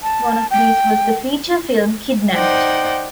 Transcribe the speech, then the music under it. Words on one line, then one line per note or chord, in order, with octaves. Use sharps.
One of these was the feature film "Kidnapped".
A5
G5
D#4 C5 D5 F#5 G5